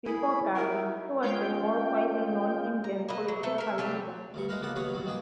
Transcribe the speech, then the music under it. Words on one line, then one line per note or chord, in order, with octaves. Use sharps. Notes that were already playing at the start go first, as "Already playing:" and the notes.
Before Gandhi, he was the most widely known Indian political leader.
E4 G#4 B5
D#4 E4 A#4
G#3 C#4 F4 G5 G6
A#5
A#3 B4 D#5
F#3
A3 A4
A#4 E5
F#3 G3 C4 G4
D2 G2 C#6
G#3 A#3 A#4 B4 F5
C#2 A#3 B3 A4 F#5
D#2 F#3 B4 C#5 F5 D#6
G2 F#3
D#3 A#3 G#4 G5